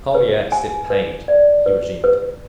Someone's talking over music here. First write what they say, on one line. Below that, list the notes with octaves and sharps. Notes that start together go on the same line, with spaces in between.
"Oh yes, it paid," he resumed.
B4
G#5
B4
D5
B4
B4